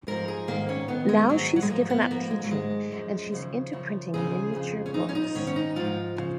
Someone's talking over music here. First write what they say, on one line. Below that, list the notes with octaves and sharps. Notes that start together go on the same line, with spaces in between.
Now she's given up teaching and she's into printing miniature books.
G#2 F3 A#4
G#4
G#2 D#3 A#3
C#4
F2 D#3 B3
G#3
G#2 D#3 F#3
F#3
G#3
G#2 F3 A#3
B3
G#2 F3 A#3
G#3
F#3
G#2 D#3 G#3
F#2 F3
D#2 C#3 F3
F#2 C#3 F3
D#2 C#3 F3 G#4
F2 C#3 F3
C#4
F2 F3 D#4
C#4
D#4
G#2 D#3 C#4
C#4
D#4
G#2 F3 F4
C#3 F3